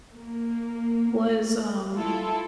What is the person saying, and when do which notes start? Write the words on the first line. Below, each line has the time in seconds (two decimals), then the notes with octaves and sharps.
was, um
0.15 A#3
1.96 E4 F4 A4